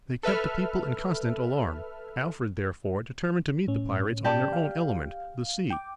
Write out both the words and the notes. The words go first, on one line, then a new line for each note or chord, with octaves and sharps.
They kept the people in constant alarm. Alfred therefore determined to meet the pirates on their own element, the sea.
A4 B4 E5 F6
A2 C#4
G4 D5 A5
F5
G5 D6